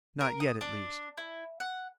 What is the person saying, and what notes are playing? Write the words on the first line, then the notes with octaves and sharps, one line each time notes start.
Not yet, at least.
A#4
D#6
D4
E4
F#5